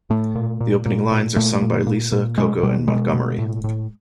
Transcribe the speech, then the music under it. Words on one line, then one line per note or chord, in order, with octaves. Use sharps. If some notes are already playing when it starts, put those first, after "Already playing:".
The opening lines are sung by Lisa, Coco and Montgomery.
A2 A3
A#2
A#2
A#2
A#2
A#2 A3
A#2
A#2
A#2
B2 G#3
B2 G3
B2 G#3
B2
A2
A2